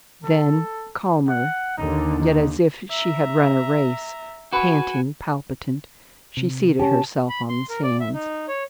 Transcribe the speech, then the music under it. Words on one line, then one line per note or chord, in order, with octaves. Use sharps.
Then, calmer, yet as if she had run a race, panting, palpitant, she seated herself on the sands.
A4
F#5
D#2 D3 D#4
D#4
E5 A#5
F#4 B4 G#5
C3
C#4 G4 A5
B5
C6
A#4
D5
E5
D#4
C#5